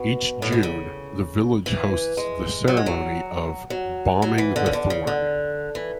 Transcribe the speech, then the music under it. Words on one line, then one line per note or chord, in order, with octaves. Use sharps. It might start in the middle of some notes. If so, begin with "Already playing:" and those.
Each June, the village hosts the ceremony of "Bawming the Thorn".
Already playing: B2
A2
B2
C#3
E3
G#3
F#3
G#3
F#3
F#3
F#3
E3
D3
C#3
D3
C#3
D3
E3